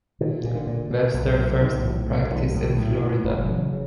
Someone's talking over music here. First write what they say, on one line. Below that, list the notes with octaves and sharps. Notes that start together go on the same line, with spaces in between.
Webster first practised in Florida.
A#2 D#3
A#2
D3
A#2
A#2
B1
A#2
B1 D#3
A2 E3 F#3
A2
B1 D#3 F3
A2
D3 E3
A2
F#2 D3
F#1 D3 E3
G3
C#3 E3 F#3
C#3